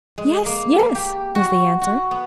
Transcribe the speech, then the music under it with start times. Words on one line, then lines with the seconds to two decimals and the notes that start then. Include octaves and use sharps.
"Yes, yes," was the answer.
0.18 G#3
0.46 A#3
0.79 A#3
0.95 G4
1.35 F#4
1.81 F#4
2.11 B3